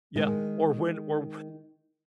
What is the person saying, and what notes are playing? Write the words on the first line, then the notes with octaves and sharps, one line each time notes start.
yeah, or when or
D#3 G#3